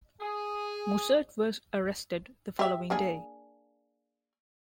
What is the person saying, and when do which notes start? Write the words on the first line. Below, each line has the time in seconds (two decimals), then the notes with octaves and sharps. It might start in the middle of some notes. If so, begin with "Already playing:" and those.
Mussert was arrested the following day.
0.21 G#4
2.59 G4 E5
2.90 A#3 D4 G#4